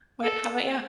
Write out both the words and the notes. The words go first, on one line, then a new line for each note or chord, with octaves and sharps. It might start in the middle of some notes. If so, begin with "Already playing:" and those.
What how about you?
A4